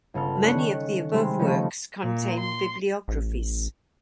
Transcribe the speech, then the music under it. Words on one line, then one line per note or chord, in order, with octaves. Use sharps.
Many of the above works contain bibliographies.
G1 C#3 A4 F6
C#4 D4 C#5 F#6
D#3
C3 G3 G#3
C#3 F3 A3 C#4 D#4
A#2
C6
A1